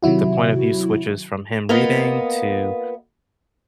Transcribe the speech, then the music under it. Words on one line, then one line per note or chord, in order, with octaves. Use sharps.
the point of view switches from him reading to
C3 D#3 F#3 E4 F#4
A#3 B3 F4 D#5